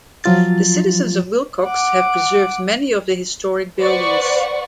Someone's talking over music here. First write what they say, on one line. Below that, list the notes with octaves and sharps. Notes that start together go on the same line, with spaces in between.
The citizens of Willcox have preserved many of the historic buildings.
F3 F#3 F4 A6
F#5 D6
B4 C5 D5 F#5 C#6